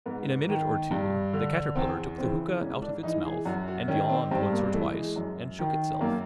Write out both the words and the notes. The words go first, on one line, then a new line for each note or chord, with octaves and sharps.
In a minute or two the Caterpillar took the hookah out of its mouth and yawned once or twice, and shook itself.
G#2 B3
D#3
G2
D3
E2 C4
C#3 E3 C4
G#2 C#4
D4
E3 D#4
G#4
F#2 F#4
F#4
D#3 C#4
C4
G2 C4
A#3
G#3
E3 A3
G#3
F#2
D#3
F#2 A#3